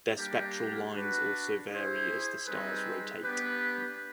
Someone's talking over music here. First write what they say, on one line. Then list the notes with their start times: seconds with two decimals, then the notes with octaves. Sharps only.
Their spectral lines also vary as the stars rotate.
0.17 G3 A#3 D4 G4
0.94 D4 F#4 B4
1.71 E4 G#4 C5
2.47 G3 C4 D#4 G#4 B4
3.24 B3 D4 G4 B4